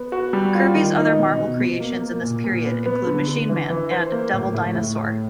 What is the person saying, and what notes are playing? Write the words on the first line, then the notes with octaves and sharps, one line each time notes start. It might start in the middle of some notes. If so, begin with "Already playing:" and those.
Kirby's other Marvel creations in this period include "Machine Man" and "Devil Dinosaur".
Already playing: B3
F#4
G3
F4
D#3
D#4
B2
B2
B2
A#3
A#3
A#2
A#2
B3
B3
D3
D3
E3
E3
C5
A#3
A2
A2
A2
A2